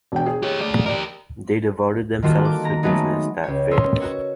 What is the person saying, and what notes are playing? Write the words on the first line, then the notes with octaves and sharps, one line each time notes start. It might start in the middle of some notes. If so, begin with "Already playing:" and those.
They devoted themselves to business that failed.
E1 D4 G5
G#4
G4 C#5
A3 D5
G4 A#4 D5
D#3 G3 A#3 F4 F#4 A4
D6
A#5
F#3 G#3 A3 B3 D#4
C#2 G4 C#5
A#4 B4 C#5 D#5 C6 E6
F#4 C#5